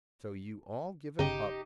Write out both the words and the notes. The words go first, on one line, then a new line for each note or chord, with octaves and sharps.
So you all give it up?
G1 C#3 D#4 G4